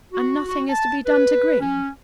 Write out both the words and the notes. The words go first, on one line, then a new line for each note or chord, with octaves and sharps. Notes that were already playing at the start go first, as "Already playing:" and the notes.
"And nothing is to be done to Green!"
F#4
F#4
A5
B4
C#4